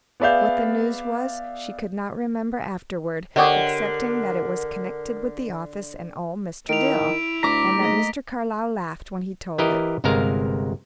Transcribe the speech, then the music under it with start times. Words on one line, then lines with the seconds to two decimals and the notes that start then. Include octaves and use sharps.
What the news was, she could not remember afterward, excepting that it was connected with the office and old Mr. Dill, and that Mr. Carlyle laughed when he told it.
0.20 B3 G#4 D5 E5 F5 G6
3.36 D3 G4 A#4 C#5 D#5 F#5
6.69 D#3 E4 D7 F7
7.43 D2 A#5 D6 A#6 B6
7.78 G#2 A3 A#3 D#5
9.58 E3 E4 G4 A#4 D#5
10.04 G1 C3 G#3 A#4 F5 A#5